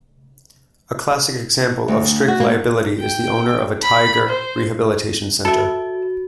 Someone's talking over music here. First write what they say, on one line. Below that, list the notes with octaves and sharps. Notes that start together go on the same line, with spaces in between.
A classic example of strict liability is the owner of a tiger rehabilitation center.
D2
F#4
A#3
G5
B5
C5
F#4 A4 E5